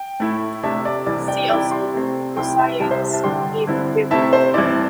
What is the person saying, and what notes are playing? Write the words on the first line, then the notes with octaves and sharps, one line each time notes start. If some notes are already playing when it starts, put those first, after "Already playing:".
See also: Gaussian beam width.
Already playing: G5
A2 A3 E4
C3 A3 D4 E5 A5
D5
C2 C3 E3 D5
D5 G5
C3 G3 E4 D5 G5
G5 C6
C3 A3 C4
C2 C3 G3 E4 G5 C6
E5 A5
C2 C3 G3 E5 A5
C5 E5
E5 A5
G2 D3 G3 D4 G5 C6
G2 D3 C4 E4
C3 A3 C4 E4 E5 A5
C5
G2 E3 C4 E4 D5